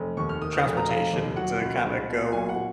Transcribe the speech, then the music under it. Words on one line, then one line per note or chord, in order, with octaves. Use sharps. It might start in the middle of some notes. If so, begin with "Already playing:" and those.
transportation to kinda go
Already playing: F1
D#2 C#6
F6
D#3 D#6
F6
F1 D#6
A#5
F1 F5
D#2
F#3 F#5
C#2
C#2
B2
F#3 G#5
F#5